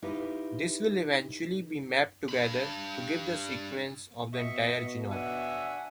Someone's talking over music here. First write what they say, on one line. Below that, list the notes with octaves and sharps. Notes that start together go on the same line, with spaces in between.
This will eventually be mapped together to give the sequence of the entire genome.
D#4 E4 G4 B4 F5
G2 B5
B2 D#5 E5 C#6
C#4 D4 E5 F#5 G#5